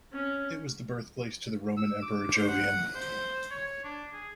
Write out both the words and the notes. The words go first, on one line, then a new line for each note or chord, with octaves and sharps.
It was the birthplace to the Roman Emperor Jovian.
C#4
E6
D6
C5
F#5
C5
C#5
D4
G#4